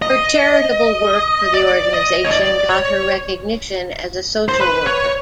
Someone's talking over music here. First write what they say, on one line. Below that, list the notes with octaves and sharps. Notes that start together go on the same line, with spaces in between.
Her charitable work for the organisation got her recognition as a social worker.
D#5
D5
D#5
C#5
D5
C#5
C5
B4
C#5